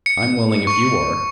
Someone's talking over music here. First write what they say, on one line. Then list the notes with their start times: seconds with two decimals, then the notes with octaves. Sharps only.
"I'm willing if you are."
0.06 C#7
0.67 C#6